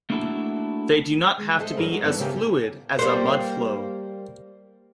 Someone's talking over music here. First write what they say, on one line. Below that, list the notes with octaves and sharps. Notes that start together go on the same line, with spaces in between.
They do not have to be as fluid as a mudflow.
A3 A#3 D4 E4 F#4 A4
G#3
A4 C5 D#5 E5
G2 F#3 G#4 A#4 B4
G#3 F#4 A4 A#4
G2 D#3 E3 A#3 B3 A4
C#3 A#3 G4 E5 G5 G#5
G3 A#3 C5